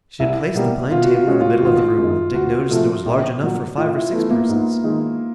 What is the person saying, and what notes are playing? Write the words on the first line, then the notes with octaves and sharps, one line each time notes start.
She had placed the pine table in the middle of the room, and Dick noticed that it was large enough for five or six persons.
C2 E4
B2 G3 A#3
B2 F4
F#4
F4
G#3 C#4 F#4
F4
F#4
G#1 F4
F#2 D#3 G#3
D2 F#4
C3 F3 A3
A#1
A#2 F#3
A2 F4
E4
E3 A3 B3
A#3
G#2
D#3 G#3